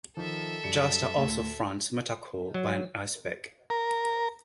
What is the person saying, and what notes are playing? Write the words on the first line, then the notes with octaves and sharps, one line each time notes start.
Jasta also fronts metalcore band Icepick.
D#3 F3 A4 E5
F#2 G3 C#7
D2 A2
F#3
A#4